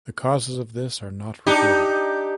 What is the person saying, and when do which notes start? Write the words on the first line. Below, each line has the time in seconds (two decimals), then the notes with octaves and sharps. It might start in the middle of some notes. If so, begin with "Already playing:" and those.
The causes of this are not recorded.
1.46 D4 D#4 G4